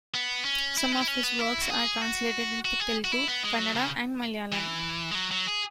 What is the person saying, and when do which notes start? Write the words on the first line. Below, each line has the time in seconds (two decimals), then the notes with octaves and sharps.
Some of his works are translated into Telugu, Kannada and Malayalam.
0.14 B3
0.45 C#4
0.77 E4
0.92 C#4
1.01 E4
1.08 C#4
1.23 B3
1.39 E4
1.61 F#4
1.71 G#4
2.01 F#4
2.65 F#4
2.80 G#4
3.04 F#4
3.12 E4
3.28 B3
3.44 G#3
3.58 F#3
3.75 C#3
4.52 E3
5.11 G#3
5.15 F#3
5.31 F#3
5.47 G#4